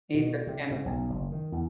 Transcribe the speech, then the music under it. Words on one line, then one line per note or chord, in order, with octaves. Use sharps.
Eat the skin with
B2
C3
G#2
B1
F#1
D#3
E2